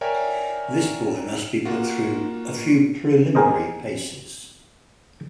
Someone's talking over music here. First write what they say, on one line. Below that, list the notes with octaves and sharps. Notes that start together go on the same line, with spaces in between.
This boy must be put through a few preliminary paces.
A#4 C#5 D5 E5 G5 G#5
A#3 F4 F#4
G4 G#4 A#4 C5 D#5